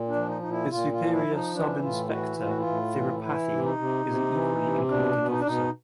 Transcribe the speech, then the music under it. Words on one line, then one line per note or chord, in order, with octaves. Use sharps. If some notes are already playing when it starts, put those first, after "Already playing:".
His superior Sub Inspector Thirupathi is an equally incompetent officer.
Already playing: A#2
D4
F3
D#4
A#2 D#4
E4
A#2 F4
F4
F3
E4
F3
D#4
E3 D4
A2 F4
F4
E3 F#4
A2 F4
F#4
F4
A2
E3
E3 E4
C3
D#4
C3
C3
E3
C3
B2 D4
B2
D#4
D4
B2 D#4